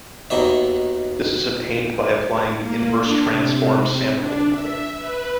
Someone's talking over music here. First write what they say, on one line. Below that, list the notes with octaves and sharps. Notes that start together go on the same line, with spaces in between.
This is obtained by applying the inverse transform sampling-method.
D#2 B2 D#3 E5
A#3
D4
C3
D4
E5
B4